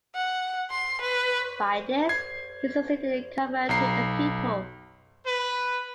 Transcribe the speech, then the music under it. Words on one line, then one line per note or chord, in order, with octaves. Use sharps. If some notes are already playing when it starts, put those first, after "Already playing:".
By this he succeeded in converting the people.
F#5
C6
B4
G#6 C7
B1 A#5 C7
B4